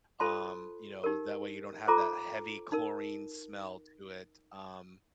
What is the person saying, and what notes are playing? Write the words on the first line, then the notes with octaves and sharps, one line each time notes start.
um, you know, that way, you don't have that heavy chlorine smell to it, um,
F4 A4 C5 A5 C6
D#4 G4 A#4
F4 A4 C5 A#5 D6
D#4 A#4